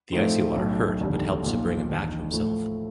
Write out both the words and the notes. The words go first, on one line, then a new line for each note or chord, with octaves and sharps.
The icy water hurt, but helped to bring him back to himself.
A2 F3 A3 C4 D#4
B1 A2 F#3 A3
F1 D#2 D3 G3
B1 A#2 F3
E1 D#2 D#3
A2 F3 A3